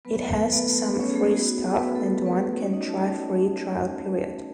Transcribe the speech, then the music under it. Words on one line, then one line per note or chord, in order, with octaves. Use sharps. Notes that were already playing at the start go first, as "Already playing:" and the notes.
It has some free stuff and one can try free trial period.
F#3 A3 B3 E4 B4
A3 A4
A3 A4
B3 B4
A3 A4
B3 B4
C#4 C#5
G#4
A3 A4
B3 D#4 F#4 G#4
F#4
B3 B4
A3 A4
B3 B4
A3 C#4 D#4 F#4 C#5
D#4 D#5
A4 A5